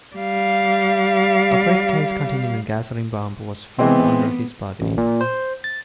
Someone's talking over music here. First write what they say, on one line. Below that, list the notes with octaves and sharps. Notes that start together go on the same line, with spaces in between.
A briefcase containing the gasoline bomb was found under his body.
G3 F5
E3 G#3 B3 C4
A1
A#2
C5
A6